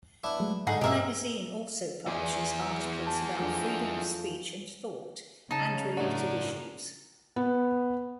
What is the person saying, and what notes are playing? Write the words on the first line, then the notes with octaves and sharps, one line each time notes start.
The magazine also publishes articles about freedom of speech and thought, and related issues.
B3 D4 E4
F#3 G#3 A3
G#2 D3 G#3 D#4 G#4 F#5
G2 B2 D#4 G4 G#4 A#4 E5 D6
E2 E4 G#4 D5
A5
F2 D4
C#3 D#4 A5
A2 D4 F#4 A#4
B3